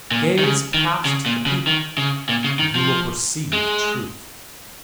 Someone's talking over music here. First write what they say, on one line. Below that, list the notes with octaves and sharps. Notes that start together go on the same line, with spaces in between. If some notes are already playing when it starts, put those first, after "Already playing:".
Gaze past the people, and you will perceive truth.
A#2
D#3
C#3
D#3
C#3
A#2
C#3
D#3
C#3
A#2
C#3
D#3
F3
G#3